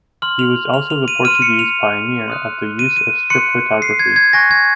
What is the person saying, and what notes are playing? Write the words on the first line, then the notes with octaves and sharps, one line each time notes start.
He was also the Portuguese pioneer of the use of strip photography.
C6 F6 F#7
F7
F7
F7
D#7
C6 F6 D#7
C#7
F7
C6 D#6 F#6
D#7
D#7
C6 F#6 C#7
C7
G#6
G#6
G#5 C#6 F#6 A#6
G#6